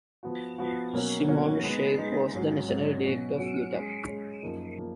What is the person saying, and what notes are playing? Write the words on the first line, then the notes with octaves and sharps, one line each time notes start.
Simon Sheikh was the National Director of GetUp!
F3 B3 F#4
F3 B3 F#4
B2 F#3 A#3 C#4 F#4
B2 F#3 A#3 C#4 F#4
G#3 B3 D#4
G#3 B3 D#4
G#2 F#3 C#4 F#4
G#2 F#3 C#4 F#4
B2 F#3 C#4 F#4
B2 F#3 C#4 F#4
G#3 C#4 G#4
G#3 C#4 G#4
F#2 F3 A#3 D#4
F3 A#3